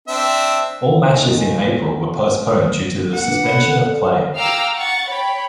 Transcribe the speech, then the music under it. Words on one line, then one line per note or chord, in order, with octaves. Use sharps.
All matches in April were postponed due to the suspension of play.
C4 D4 E5
D#2 G#5
A#3 C#4 F#5
D4 F4 B4
B5
A4
A4 D5
F5 G5 A#5 D6 E6 F6
F#5 C#6 A6
C#5 G5 B5